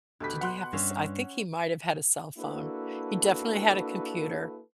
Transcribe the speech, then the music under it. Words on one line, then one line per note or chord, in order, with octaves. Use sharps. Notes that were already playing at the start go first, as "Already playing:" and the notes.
did he have a s I think might have had a cell phone. He definitely had a computer,
D2 B2 G4 B4 B6
F#5 C6 F#6
G2 C#4 E5 F5
A#3 D4 E4 F#4 A4 B4